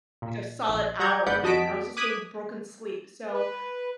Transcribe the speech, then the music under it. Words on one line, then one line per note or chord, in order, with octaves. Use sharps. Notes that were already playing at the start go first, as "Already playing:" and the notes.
a solid hour, even. I was just getting broken sleep. So
A#2
A#1
G3 F#5 A#5 G6 G#6
G1 G#2 B4 D5 F#5 G6
F2 F#4 D#5 A5 B6 D7
D6 D#6 F#6 G#6 B6 D#7
B4